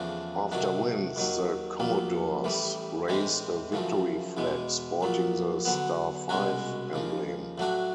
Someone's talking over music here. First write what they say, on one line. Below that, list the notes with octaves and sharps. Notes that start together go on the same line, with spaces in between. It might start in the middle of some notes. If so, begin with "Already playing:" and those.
After wins the Commodores raise a victory flag sporting the "Star Five" emblem.
Already playing: E2 C#3 F3 A3 D4
C3 D#3 F#3 A3 D4
D#2 D#3 F#3
A#1 A#2 F#3 A#3
A1 A2 E3 G3
A2 E3 G#3 C4
F#2 C#3 F3 A3
E2 B2 G#3
A#1 A#2 F#3
D3 F#3 B3
C2 B2 G#3 C#4 F#4
D#2 C#3 F3
A2 F#3 A3 D4 F#4